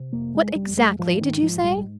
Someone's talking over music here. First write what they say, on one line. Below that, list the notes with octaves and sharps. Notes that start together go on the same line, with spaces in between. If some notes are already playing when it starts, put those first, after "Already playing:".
What exactly did you say?'
Already playing: C3
F1 A#3
G#3
F1
G3
F2
G#3
G#2 F3
D#3
G#2
F3
A#1
G3